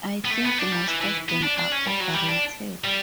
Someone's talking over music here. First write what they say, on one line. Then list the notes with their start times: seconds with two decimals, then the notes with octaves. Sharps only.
I think most of them are overrated.
0.25 B3
0.30 A3
0.45 B3
0.58 D4
0.72 G3
0.87 E3
1.01 E3
1.29 B3
1.43 D4
1.57 D4
1.72 C#4
1.86 G3
2.00 F#3
2.14 G3
2.28 D4
2.84 G3